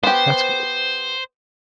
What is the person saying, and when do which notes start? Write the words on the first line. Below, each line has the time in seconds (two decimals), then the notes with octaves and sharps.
That's good.
0.03 B3 G4 C5